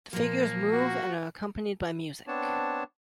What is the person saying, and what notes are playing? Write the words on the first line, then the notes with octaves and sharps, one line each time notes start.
The figures move and are accompanied by music.
A#2 F3 A#3
F#4
B3 C4 D4 C#5 A5